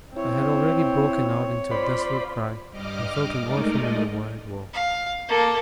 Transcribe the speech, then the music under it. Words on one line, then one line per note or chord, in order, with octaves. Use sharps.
I had already broken out into a desolate cry, and felt an orphan in the wide world.
C4 E4 C#5
F4 C5 D5 B5
G2 G3 D#5 D6 F6
G#3 A3 D#4 A#4 D5 D#5
F5
A#3 A4